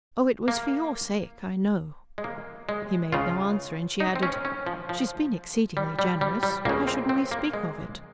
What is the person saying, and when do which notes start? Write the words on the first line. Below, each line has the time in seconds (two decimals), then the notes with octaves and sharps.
"Oh, it was for your sake, I know!" He made no answer, and she added: "She's been exceedingly generous...Why shouldn't we speak of it?"
0.48 A#3
2.18 G#3
2.24 A#3
2.69 G#3
3.12 C#2 C#3 F4
4.00 D#4
4.16 C4
4.23 C#4
4.45 C#4
4.67 F3
4.89 F3
5.77 G3
5.99 G3
6.21 G3
6.43 G3
6.65 C#2 C#3 A#3
6.87 C4
7.09 C4
7.31 A#3
7.53 G#3